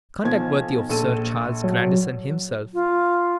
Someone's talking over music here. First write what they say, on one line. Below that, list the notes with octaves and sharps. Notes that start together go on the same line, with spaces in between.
Conduct worthy of Sir Charles Grandison himself.
B1 F3 G#6
A#1 A4 D#7
F#3
F4